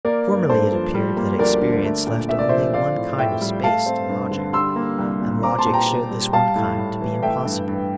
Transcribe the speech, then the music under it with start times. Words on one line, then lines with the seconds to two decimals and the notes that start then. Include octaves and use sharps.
Formerly it appeared that experience left only one kind of space to logic, and logic showed this one kind to be impossible.
0.05 A#3 A#4 D5
0.27 G2
0.50 G2 A4 C5
0.72 F3
0.94 G3
1.17 A#3
1.39 D2 A#4 D5
1.62 D3
1.84 A3
2.07 A#2
2.29 A#2 E5
2.38 D5
2.49 F3 C5 E5
2.74 C4 D5 F5
2.97 A2
3.18 A2 E5 G5
3.41 G3
3.64 A3 F5 A5
3.86 C4
4.09 G2
4.31 D3
4.53 G3 C6 E6
4.76 A#3
4.98 C2
5.21 A#2
5.43 C4 A#5 D6
5.58 A5 C6
5.66 A#2
5.73 G5 A#5
5.88 A#2
6.11 G3
6.33 G3 F5 A5
6.55 A2
6.78 A2
7.01 E3
7.23 A3 E5 G5
7.45 G2
7.68 G2